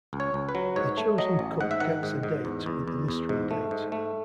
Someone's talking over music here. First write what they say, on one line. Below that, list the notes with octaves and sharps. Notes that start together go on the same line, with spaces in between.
The chosen cook gets a date with the mystery date.
C#2
C#5
C#2
B4
F#3
G#2 C#5
A3
F#3 D#5
A1
G#2 F#5
E5
D#3 F#5
G#2
G#2
E2
E2
E2
E2
G#2
A3
G#2
A3